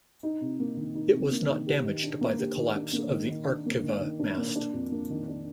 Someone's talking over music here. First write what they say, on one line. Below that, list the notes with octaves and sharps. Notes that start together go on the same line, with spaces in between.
It was not damaged by the collapse of the Arqiva mast.
D#4
C3
A#3
D#3
D#4
C3
A#3
D#3
G4
D#3
D4
A#3
G4
D#3
D4
A#3
D#3
D#3
D4
A#3
D#3
D#3
D4
A#3
D4
F2
A#3
D#3
D4